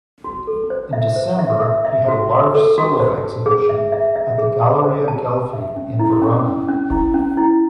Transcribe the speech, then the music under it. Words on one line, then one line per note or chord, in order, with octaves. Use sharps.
In December he had a large solo exhibition at the Galleria Ghelfi in Verona.
F#4
A4
C5
E5
C5
E5
E5
E5
F#4
F#4
A4
F#4
C5
A5
G#4
E5
E5
E5
G#4
A5
C5
A5
A5
E5
C#4
E4
C#4
C#4
C#4
E4
C#4
E4